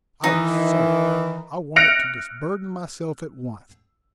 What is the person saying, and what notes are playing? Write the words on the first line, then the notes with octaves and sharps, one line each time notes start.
I was sorry; I wanted to disburden myself at once.
D#3 E3 D#4
F6 F#6 A#6 C#7 D7 F7